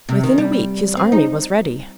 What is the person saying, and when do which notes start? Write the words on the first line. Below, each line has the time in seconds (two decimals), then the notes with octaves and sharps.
Within a week, his army was ready.
0.09 C3
0.24 D#3
0.38 G3
0.97 C4
1.12 D#4